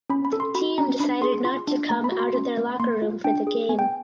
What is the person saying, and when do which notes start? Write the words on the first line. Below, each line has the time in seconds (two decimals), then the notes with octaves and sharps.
The team decided not to come out of their locker room for the game.
0.10 C#4 B5
0.25 B5
0.33 A4
0.40 C6
0.55 F#4 B5
0.78 C#4 A#5
1.00 D4 B5
1.22 G#4 C6
1.44 F4 C6
1.67 D4
1.89 A3 A#5
2.04 B5
2.12 F#4
2.20 C6
2.35 C#4 C6
2.57 A3
2.70 B5
2.79 A#3 C6
3.02 F4
3.24 D4 G5
3.47 G#4
3.69 B3 G#5
3.79 G5